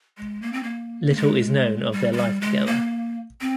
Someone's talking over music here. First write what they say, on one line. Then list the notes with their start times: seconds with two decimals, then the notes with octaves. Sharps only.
Little is known of their life together.
0.18 G#3
0.42 A#3
0.53 C4
0.63 A#3
1.09 A#3
1.17 G#3
1.92 G3
2.13 G#3
2.17 G3
2.41 G#3
2.66 A#3
3.41 C4